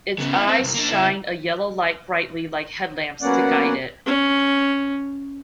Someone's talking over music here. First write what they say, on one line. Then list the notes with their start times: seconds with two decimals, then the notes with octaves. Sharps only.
Its eyes shine a yellow light brightly like headlamps to guide it.
0.19 C#3 B3
0.33 B3 E4
0.47 C4
0.59 C2 F#2
0.74 A#3 D4
0.90 C#2 E4
3.22 F#3 A#3 B3 C#4 D5 F#5
4.06 C#4